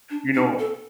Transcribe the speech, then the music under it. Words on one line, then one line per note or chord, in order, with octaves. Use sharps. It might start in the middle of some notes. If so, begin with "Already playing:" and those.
you know
D4
D#4
A4